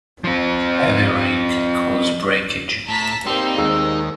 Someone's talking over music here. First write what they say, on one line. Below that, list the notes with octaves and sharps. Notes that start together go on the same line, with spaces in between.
Heavy rain can cause breakage.
F3 C4
A2 A5 A#5 B6
G3 A#3 C4 D#4 G4 C6 E6
D#2 G#3 E6